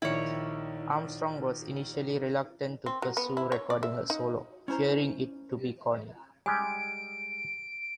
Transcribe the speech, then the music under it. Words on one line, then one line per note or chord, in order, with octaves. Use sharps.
Armstrong was initially reluctant to pursue recording a solo, fearing it to be corny.
A#1 D#3 E4 C#5
C4
F#3
B3
E4
C#5
D5
E5
D#4
C#4 E4 C5 A#5
G3 G#3 G4 G#5 D7